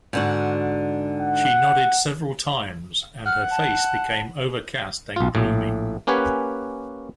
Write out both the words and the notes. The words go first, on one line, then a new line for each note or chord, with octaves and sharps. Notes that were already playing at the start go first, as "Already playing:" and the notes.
She nodded several times, and her face became overcast and gloomy.
G#2 D3 F#4
F#5
F#5 F6
A5
B1 F4
A#1 A2
A#3 C#4 G4 B4 F#5 G#5